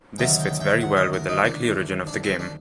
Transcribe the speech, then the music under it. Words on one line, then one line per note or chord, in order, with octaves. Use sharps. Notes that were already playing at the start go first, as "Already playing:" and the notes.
This fits very well with the likely origin of the game.
D2 C3 D#3 F#3 G5
G5
G5
F#5
D#5
A#4
D#4
D4
D4
C4
D4